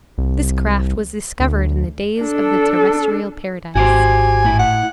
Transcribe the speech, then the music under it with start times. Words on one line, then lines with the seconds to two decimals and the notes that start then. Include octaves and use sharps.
This craft was discovered in the days of the terrestrial paradise.
0.18 C2
1.40 D2
2.21 D4 A4
3.76 G#1 F#4 G4 C5 G#5
4.45 A2 E4
4.59 F#5